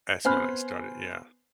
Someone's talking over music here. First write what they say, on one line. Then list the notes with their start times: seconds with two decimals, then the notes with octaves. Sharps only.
as when I started, yeah.
0.25 B3 C5 G#5 B5 F6 F#6